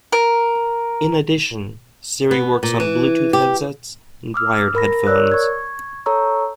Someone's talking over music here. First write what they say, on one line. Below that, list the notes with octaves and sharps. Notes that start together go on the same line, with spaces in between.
In addition, Siri works on Bluetooth headsets and wired headphones.
A#4
B3
A#2
E3
G4
D6 E6 F6
A#4 B5 A#6
A#4 C#5 D5 E6 F#6
C#6 G#6
A4 C#5 A#5 C#6 E6